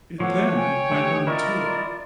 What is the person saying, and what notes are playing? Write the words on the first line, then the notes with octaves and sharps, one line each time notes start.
It then went on tour.
F3 A3 B3 C#5 F#5 D6
G5 G#5 G6
A3 G4
E4 F4 A#4 D5 D#5 C#6